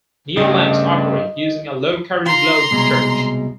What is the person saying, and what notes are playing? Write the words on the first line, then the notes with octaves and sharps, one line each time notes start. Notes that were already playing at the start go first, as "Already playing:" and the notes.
Neon lamps operate using a low current glow discharge.
G2 C#3 A3 D#5
F4 A#5 C6
C2 B2 G#3